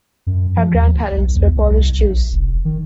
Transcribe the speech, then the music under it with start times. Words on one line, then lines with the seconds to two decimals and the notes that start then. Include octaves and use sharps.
Her grandparents were Polish Jews.
0.27 F#2
0.57 F3
0.74 D#2
0.95 D2
1.17 B1
1.35 E2
1.55 C2
1.71 C2
1.98 A#1
2.33 F1
2.65 D#3